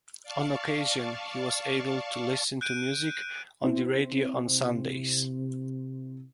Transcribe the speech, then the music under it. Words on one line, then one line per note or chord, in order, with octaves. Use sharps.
On occasion, he was able to listen to music on the radio on Sundays.
D5 F5 A5 C#6
F#6 G6 D7 D#7
C4 E4
C3